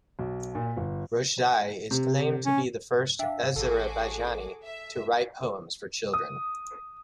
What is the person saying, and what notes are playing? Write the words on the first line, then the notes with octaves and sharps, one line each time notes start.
Roshdieh is claimed to be the first Azerbaijani to write poems for children.
B1
A#2
G1
C3
C#4
D4 E5 F5 G5
A1 F#4 G#4 A4 D6
E5
D#6